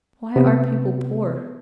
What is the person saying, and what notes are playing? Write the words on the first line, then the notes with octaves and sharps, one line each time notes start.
Why are people poor?
C3 B3